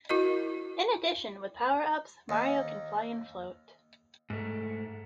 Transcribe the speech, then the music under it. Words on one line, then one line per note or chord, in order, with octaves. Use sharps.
In addition, with power-ups, Mario can fly and float.
E4 F#4 A#4 D#5
D#2
G#2 A3